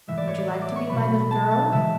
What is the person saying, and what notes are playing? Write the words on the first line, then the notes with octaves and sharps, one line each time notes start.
"Would you like to be my little girl?"
A2 E3 G#3 E5
D5
C#5
D5
E5
D6
C#6
B2 F#3 B5
A5
A5
C#3 E3 G#3 E5